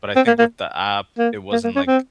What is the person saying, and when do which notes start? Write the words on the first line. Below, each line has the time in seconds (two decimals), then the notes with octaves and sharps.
but I think with the app, it wasn't, like,
0.16 C4
0.27 A#3
0.39 A#3
1.18 A#3
1.53 A#3
1.64 A#3
1.76 C#4
1.87 C4